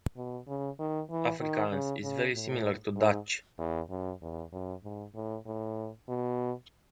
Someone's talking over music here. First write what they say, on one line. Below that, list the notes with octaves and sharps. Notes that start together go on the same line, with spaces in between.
Afrikaans is very similar to Dutch.
B2
C#3
D#3
E3
D#3
C#3
C#3
A2
G#2
E2
F#2
E2
F#2
G#2
A2
A2
B2